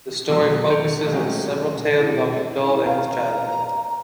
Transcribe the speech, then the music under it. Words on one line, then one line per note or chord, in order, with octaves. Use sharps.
The story focuses on several tales about McDull and his childhood.
B2 F#3 G#3 D4 E6
G6 C#7 D7 F7
F#3 G#3 A3 C#4 F#4 G4
E4
B4 F5 A#5